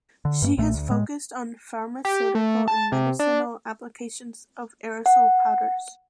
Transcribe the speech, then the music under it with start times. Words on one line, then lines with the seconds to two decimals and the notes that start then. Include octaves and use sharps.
She has focussed on pharmaceutical and medicinal applications of aerosol powders.
0.25 D3
0.42 G2 A3 A#3
0.57 B1 A#2 A3
0.74 D2
0.89 A2 G#3
2.05 G4
2.35 A3
2.68 A5
2.92 C3
3.19 D4
5.06 F#5